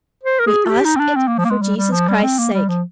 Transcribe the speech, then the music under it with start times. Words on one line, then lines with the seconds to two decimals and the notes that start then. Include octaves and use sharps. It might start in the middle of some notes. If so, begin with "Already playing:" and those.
We ask it for Jesus Christ's sake.
0.23 C5
0.39 A#4
0.47 G#4
0.65 F4
0.69 G4
0.85 D#4
0.96 C4
1.00 D4
1.16 C4
1.28 A#3
1.38 F3
1.45 A#3
1.50 G#3
1.62 G3
1.77 G3
1.92 F3
2.08 G3
2.23 C4
2.39 A#3
2.53 G3
2.68 F3